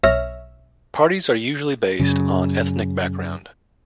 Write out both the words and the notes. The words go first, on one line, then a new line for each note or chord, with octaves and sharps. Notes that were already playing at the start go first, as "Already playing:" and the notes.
Parties are usually based on ethnic background.
B1 C#5 E5 F6 A#6
F#2 C#3